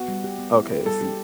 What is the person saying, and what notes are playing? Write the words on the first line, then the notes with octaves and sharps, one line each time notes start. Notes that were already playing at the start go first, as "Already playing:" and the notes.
Okay, I see.
Already playing: B3 F#4
G3
G4
B3
E4
G4
G3 A4
G4